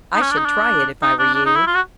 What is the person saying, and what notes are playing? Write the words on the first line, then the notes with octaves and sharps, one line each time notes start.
I should try it if I were you.
D#4
C#4
D4
D#4
D4
D#4
D4
D4
D#4
E4
F4
F#4